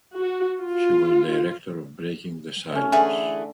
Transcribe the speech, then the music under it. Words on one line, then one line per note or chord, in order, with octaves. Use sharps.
She was director of Breaking the Silence.
F#4
F4
A3 C#4
D3 E3 A3 G#4 G#5